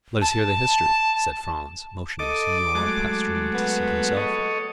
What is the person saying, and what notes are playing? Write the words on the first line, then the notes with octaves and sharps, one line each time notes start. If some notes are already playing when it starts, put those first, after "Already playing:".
"Let us hear the history," said Franz, motioning Signor Pastrini to seat himself.
A5
A4 D#5 D6
F#3 G#3 A3
B3
A4 C#5 D#5